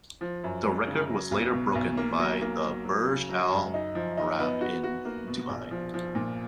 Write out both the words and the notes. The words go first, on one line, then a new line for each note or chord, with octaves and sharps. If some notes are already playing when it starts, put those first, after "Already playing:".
The record was later broken by the Burj Al Arab in Dubai.
F3
F#2
G#3
C#3
F#3
B1
B2
B1
A#3
F#3
A#3
F#3
F#3
C#3
F#3
F#2
D#4
F3
D#4
B3
F#4
F#4
A#3
B2
A#1
F3
F3
A#2